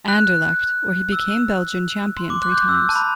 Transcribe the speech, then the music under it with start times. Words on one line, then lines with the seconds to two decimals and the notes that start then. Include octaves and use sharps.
Anderlecht where he became Belgian champion three times.
0.08 F#6
1.12 E6
2.17 C6
2.30 D6
2.42 F#6
2.52 G6
2.55 F#6
2.69 E6
2.89 A5
2.96 B5